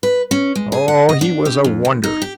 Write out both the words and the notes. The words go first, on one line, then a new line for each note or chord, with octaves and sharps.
Oh, he was a wonder!
B4
C#4
G#3
G#4
F#5
D#5
D4
G4
F2
D#2
D#4
G4